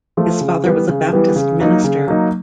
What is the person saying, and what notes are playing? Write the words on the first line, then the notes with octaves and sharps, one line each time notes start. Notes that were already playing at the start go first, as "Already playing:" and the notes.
His father was a Baptist minister.
F3 A3
C#3
E3 G3 B3
C#3
E3 G3 B3
C#3
F#3 A#3 D#4
C#3
F#3 A#3 D#4